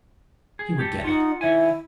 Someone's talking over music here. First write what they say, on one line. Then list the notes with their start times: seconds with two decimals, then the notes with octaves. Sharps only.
He would get it.
0.59 G#4
0.79 G4 A4
1.04 D#4 F4 F#5
1.41 D#3 E4 C#5 G#5